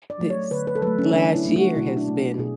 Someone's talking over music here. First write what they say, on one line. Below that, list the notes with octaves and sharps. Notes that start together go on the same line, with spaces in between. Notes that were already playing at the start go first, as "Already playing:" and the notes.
this last year has been
D5
F#3 A3
C#5
D3 B4
B4
A4
F#3 A3 B4
C#4
D3 D4
E4
F#3 A3
F#4
B2 E4
D4
A3
B2 G#4